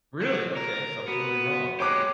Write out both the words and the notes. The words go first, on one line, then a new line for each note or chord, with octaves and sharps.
Really? Okay, so I'm totally wrong.
F#3
A#4
B3 F#4
G#3 G4 C#5 D6 F#6